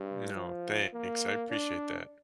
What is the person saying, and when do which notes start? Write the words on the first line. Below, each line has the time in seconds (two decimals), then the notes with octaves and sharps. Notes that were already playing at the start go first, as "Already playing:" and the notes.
No, thanks, I appreciate that.
Already playing: G2
0.35 F3
0.93 A#3
1.51 D4